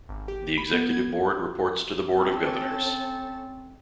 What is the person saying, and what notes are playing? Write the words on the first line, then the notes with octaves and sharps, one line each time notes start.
The Executive Board reports to the Board of Governors.
G#1
G4
B5
B3
G#6
C4 C#4 A4 A6